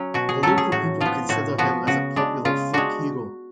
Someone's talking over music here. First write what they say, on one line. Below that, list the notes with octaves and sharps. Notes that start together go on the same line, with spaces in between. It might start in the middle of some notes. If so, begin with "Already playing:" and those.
The local people consider him as a popular folk hero.
Already playing: F#3 C#4
B2 F#4
G#4
F#3 C#4 A4
G#4
A2 F#4
F3 B3 F4
A2 F#4
F3 B3 F#4
C#3 F#4
G#3 D4
C#3 F4
G#3 D4 F#4